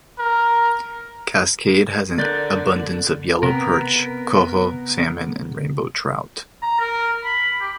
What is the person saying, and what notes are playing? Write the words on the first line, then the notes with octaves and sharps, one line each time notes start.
Cascade has an abundance of yellow perch, coho salmon, and rainbow trout.
A#4
D3 A#4 D5 F#6 G6 A6
C3 B3 A#4
A#5
A#4
B5
G4